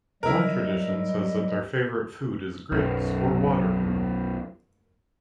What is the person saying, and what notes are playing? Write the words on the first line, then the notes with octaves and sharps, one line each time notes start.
One tradition says that their favourite food is grits or water-gruel.
F#3 G3 E4 A#4 D#5
B1 F#2